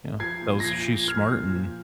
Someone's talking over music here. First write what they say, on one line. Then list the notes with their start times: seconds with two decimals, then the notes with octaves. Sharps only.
Yeah, that was she's smart and
0.20 F3 G#6 C7
0.42 A#2
0.60 A#6
0.64 F3 G#6 C7
0.86 A#2
1.08 F3 F6 G#6
1.31 A#2
1.53 F3